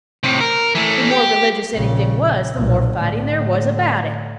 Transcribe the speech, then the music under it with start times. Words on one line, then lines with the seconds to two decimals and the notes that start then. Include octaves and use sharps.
"The more religious anything was the more fighting there was about it."
0.23 A2 C3
0.41 A#4
0.75 E3 A3
1.11 G4
1.73 A#1 C#3
2.55 B1 A#2
2.95 A2 D3